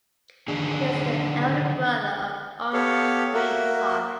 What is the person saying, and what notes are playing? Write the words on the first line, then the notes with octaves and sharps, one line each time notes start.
He is the elder brother of Ong Ewe Hock.
D3 D#3 D4 G#4
B3 G4 A4 C#5 F5
A#3 F#4 A#4 E5